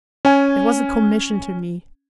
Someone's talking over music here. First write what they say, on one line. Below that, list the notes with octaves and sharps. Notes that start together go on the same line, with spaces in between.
It was a commission to me!
C#4 G#5